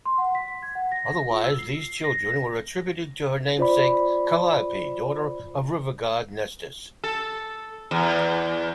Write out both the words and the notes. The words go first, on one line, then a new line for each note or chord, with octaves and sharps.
Otherwise these children were attributed to her namesake Calliope, daughter of river-god Nestus.
C6
F#5
B6
G#6
F#5
A#6
F4
E6
C7
C7
A#6
A#6
F4 C5 D5 B5
A4
E2